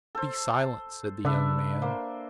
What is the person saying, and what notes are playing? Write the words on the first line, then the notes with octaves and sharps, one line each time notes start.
"Be silent," said the young man.
A4 C5
C#3 D4 B4 E5
A#3 C5